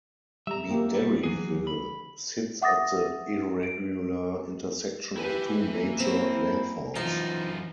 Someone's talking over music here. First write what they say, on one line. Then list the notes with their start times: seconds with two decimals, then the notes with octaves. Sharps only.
Medaryville sits at the irregular intersection of two major landforms.
0.47 G3 E5 A#5
0.70 A#3 G4
0.94 G3
1.23 E3 F#3 G#4
1.67 B5
2.62 E5 F#5 D6 D#6 A6 A#6
3.63 D7
5.17 E4 G4 B4 G#5
5.67 A#3
6.00 C4
6.95 F#2 E3 F3 D#4 F4